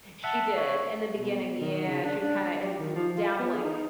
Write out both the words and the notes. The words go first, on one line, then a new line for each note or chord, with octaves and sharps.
She did, in the beginning, yeah, she was kinda in, uh dabbling
E5 F#5 A5
C#5
B2
D#3
C#3
D4
D4
G4
D#3
F3
F4
B3
G#4
D#4